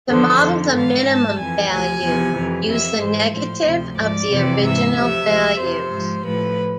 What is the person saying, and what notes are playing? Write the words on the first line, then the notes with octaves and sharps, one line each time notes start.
To model the minimum value, use the negative of the original values.
E2 D3 F3 C5
F2 D3 F3
G#2 E3 F5
G#2 E3 A5
F2 E3 G#5
D2 C3 F3 G#5
E2 C3 F3
F2 E3
F2 E3 E5
G#2 E3 C5
A2 F3 C5
D2 C3 F3
G#2 F3 D5
F2 C3 E3
G#2 E3 E5
D2 C3 F3 E5
D2 C3 F3
F2 C3 F3 C5
G#2 F3
A2 F3 B4